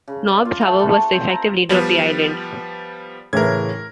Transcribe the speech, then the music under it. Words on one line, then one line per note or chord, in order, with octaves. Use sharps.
Nobbs, however, was the effective leader of the island.
C#3
D5
F4
A3
A4
C4
A#5
F3 G3 B3
A2 C#3 E3 A#4 G#6